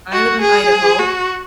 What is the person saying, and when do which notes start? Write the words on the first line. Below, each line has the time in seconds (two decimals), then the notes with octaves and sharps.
I live in Idaho,
0.12 F#4
0.41 G#4
0.99 F#4